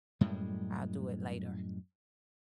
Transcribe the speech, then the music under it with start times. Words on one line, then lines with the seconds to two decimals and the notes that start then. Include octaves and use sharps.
I'll do it later."
0.21 F#2 A2 G3 G#3